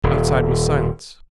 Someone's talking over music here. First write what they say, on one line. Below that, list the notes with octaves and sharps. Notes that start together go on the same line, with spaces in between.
Outside was silence.
D#1